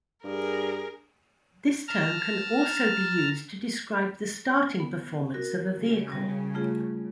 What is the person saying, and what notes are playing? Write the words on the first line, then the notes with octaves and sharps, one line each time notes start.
This term can also be used to describe the starting performance of a vehicle.
G2 G#4 A#4
A5 A#5 F6
B3
F#4 A#4
C#3
G3
A3 F4 G#4